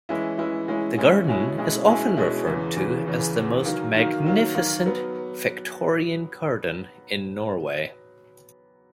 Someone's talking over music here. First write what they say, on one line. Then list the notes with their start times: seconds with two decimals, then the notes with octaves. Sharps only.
The garden is often referred to as the most magnificent Victorian garden in Norway.
0.09 E3 G#3 C#4 E4
0.38 E3 G#3 C#4 E4
0.68 E3 G#3 C#4 E4
0.98 E3 G#3 C#4 E4
1.27 B2 G#3 C#4 E4 G#4
1.57 B2 G#3 C#4 E4 G#4
1.87 B2 G#3 C#4 E4 G#4
2.17 B2 G#3 C#4 E4 G#4
2.47 E2 C#3 E3
2.76 E2 C#3 E3
3.06 E2 C#3 E3
3.36 E2 C#3 E3
3.65 D#3 F#3 A#3
3.95 D#3 F#3 A#3
4.25 D#3 F#3 A#3
4.55 D#3 F#3 A#3
4.86 F#3 B3